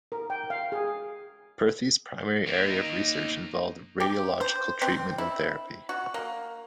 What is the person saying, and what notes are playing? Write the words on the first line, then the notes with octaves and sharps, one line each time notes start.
Perthes' primary area of research involved radiological treatment and therapy.
A#4
G5
F5
G#4
A#3 D#4
G4
C5
C4
E4
F#4
A#3